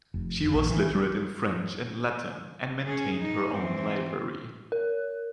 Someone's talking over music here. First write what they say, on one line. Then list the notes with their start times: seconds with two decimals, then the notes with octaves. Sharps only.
She was literate in French and Latin and maintained her own library.
0.14 F1
0.54 A#1
0.70 E3
0.95 G3
2.86 C#4 G#4
3.19 D#4
3.56 E3 C4
4.72 A#4